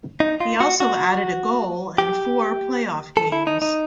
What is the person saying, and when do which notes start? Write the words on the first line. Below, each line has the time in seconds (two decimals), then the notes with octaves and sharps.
He also added a goal in four playoff games.
0.20 D#4
0.40 F4
0.60 F#4
0.80 F#4
1.98 G4
3.17 A4
3.32 E4
3.47 D#4
3.62 D#4